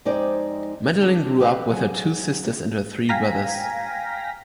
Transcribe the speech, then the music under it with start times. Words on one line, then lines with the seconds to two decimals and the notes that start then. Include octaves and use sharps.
Madilyn grew up with her two sisters and her three brothers.
0.05 F2 G#3 D#4 G4 C5 D5
1.02 D4
1.39 G4 A4 B4 D#5 F5
1.70 F#3 G#4 G#5
3.09 F5 G5 G#5 A#5 A#6 B6